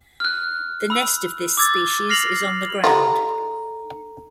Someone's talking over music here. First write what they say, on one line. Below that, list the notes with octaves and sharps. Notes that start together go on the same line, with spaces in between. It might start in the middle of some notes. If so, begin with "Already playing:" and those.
The nest of this species is on the ground.
F6 F#6
B5 E6
D6 E6 G#6 A6
F6 A#6 C7 F7 F#7
G3 G#3 F4 A4 A#5